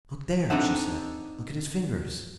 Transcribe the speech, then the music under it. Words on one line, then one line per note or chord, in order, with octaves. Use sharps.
"Look there!" she said; "look at his fingers!"
C4 D4 D#4 A4 E5 F#5